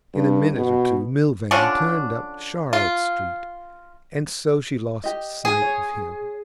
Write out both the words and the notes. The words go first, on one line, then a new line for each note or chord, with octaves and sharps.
In a minute or two Milvain turned up Charlotte Street, and so she lost sight of him.
G2
B2
D3 F3 C#4 D4
F4
G4 D#5
G#4 G#5
C#5